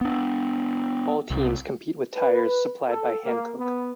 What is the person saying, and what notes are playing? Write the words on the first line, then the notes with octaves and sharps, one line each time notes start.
All teams compete with tyres supplied by Hankook.
B3 D4
C2
B4
A4
A#3
B3